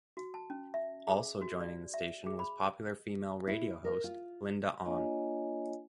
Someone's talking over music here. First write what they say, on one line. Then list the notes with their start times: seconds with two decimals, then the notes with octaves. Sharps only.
Also joining the station was popular female radio host Linda Onn.
0.17 F#4
0.34 A5
0.50 C#4
0.74 E5
1.07 G#4
1.41 F#4
1.60 D5
1.94 E5
2.27 G#4
2.39 B5
3.47 E4
3.85 A#4
4.04 F4
4.85 A#3 D4 F4 C#5 D#5 G#5